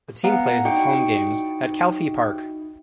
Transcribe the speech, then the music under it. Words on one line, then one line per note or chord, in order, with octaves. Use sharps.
The team plays its home games at Calfee Park.
B3 F5 F#5 A#5
D#4 E4 F#4 D5 G5 C#7